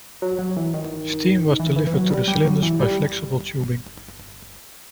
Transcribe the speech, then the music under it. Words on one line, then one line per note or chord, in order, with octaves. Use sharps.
Steam was delivered to the cylinders via flexible tubing.
F#3
F#3
E3
D#3
E3
E3
E3
F#3
G3
G3
F#3
E3
G3